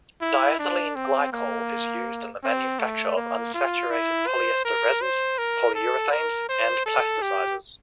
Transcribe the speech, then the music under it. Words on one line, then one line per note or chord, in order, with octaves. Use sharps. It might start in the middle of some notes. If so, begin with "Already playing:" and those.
Diethylene glycol is used in the manufacture of unsaturated polyester resins, polyurethanes, and plasticizers.
E4
D4
C4
A#3
C4
A3
A#3
F4
E4
C5
A#4
C5
A#4
A4
A#4
C5
A4
G4